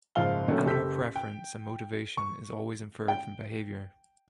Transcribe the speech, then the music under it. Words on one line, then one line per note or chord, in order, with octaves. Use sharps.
Animal preference and motivation is always inferred from behavior.
F#1 G#2 F3 F4 F5 G7
D3 D#3 F#3 A3 A#3 C#4
F#1 G4 A4 G6 B6
G5
C#6
G5